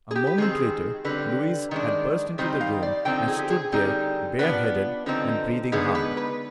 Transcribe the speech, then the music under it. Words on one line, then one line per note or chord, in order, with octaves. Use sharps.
A moment later Louise had burst into the room and stood there bareheaded and breathing hard!
G#4
G4
B4
D#3 G#3 C4 G#4
D3 G3 C4 B4
D#3 G#3 D4
D#3 G3 C4 D#4 C5
F5
D5
D3 F3 C4 D#4 G5
G#4
G4
G#4
D3 G3 C4 D#4
F3 B3 D4 B4
D3 F3 C4 D#4
D3 G#3 B3 D#4 G#4
B4
B4